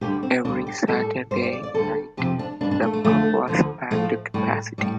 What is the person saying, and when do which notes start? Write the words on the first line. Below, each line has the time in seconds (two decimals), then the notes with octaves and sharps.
Every Saturday night the pub was packed to capacity.
0.01 D2 D3 G3 G4
0.23 C4
0.45 D2 D3 G3 D4
0.67 G4
0.87 A2 G3 A4
1.31 G2 G3 C5
1.42 D5
1.53 D5
1.63 D5
1.74 D2 D3 G3 A4
2.17 F2 C3 F3 G4
2.39 D4
2.61 G2 G3 D4
2.71 D4
2.83 A3
2.93 A3
3.04 F2 D3 F3 A3
3.48 D2 D3 F3
3.91 A2 F3 A3
4.34 A2 G3
4.78 A2 G3